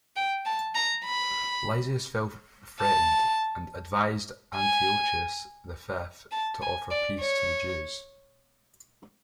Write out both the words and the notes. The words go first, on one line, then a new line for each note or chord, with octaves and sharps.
Lysias felt threatened, and advised Antiochus the Fifth to offer peace to the Jews.
G5
A5
A#5
B5
A5
G#5
A5
G#5
D5
C#5